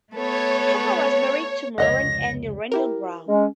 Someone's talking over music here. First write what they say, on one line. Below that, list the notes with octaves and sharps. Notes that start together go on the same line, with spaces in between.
Parker was married to Muriel Anne Randell-Brown.
A3 B3 A4 C#5
F1 C#2 C#5 D#5 F#5 A#6
E4 G4 A#4
G#3 C#4